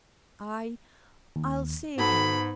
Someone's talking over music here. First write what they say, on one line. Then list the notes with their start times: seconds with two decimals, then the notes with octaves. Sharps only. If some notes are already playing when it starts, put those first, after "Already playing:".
I... I'll save him.
1.36 D#2
1.98 G#2 B3 F#4 A4 B5